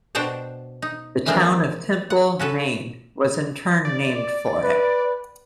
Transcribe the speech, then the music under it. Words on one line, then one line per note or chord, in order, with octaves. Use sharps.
The town of Temple, Maine was in turn named for it.
B2 D4 F#4 C5 G5 A5
D#4
E3 F3 G#3 A#3 C4 D4
F#5
C#4 F#4 A4 B4
D5
B4